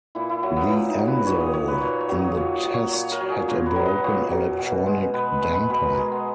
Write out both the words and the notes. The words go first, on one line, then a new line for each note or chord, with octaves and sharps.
The Enzo in the test had a broken electronic damper.
A#2 E4
E4
F#3
B3
A#2
D#4
F#3
B4
A#2 C#5
D#5
F#3 C#5
B4
A#2 C#5
C#5
F#3
D#5
A#2 C#5
D#5
F#3
C#5
A#2 C#5
A#4
F#3
G#4
A#2 A#4
B4
F#3
D#5
A#2 C#5
F#3
B2
G#3
B2 B4
G#3
B4
B2 B4
A#4
G#3 G#4
B3